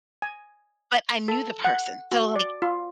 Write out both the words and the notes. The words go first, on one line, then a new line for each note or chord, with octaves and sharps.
but I knew the person. So, like,
G#5
A4
F#5
F#4
D5
F4